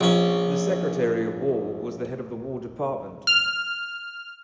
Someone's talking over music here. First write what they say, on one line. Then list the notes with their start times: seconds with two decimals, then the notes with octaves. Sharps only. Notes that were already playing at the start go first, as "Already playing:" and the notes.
The Secretary of War was the head of the War Department.
0.01 A#1 C#4
3.27 F6